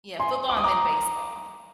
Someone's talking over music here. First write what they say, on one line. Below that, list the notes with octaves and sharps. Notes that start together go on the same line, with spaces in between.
yeah, football and then baseball.
G#5 C6
D6
D#6
A#5 D6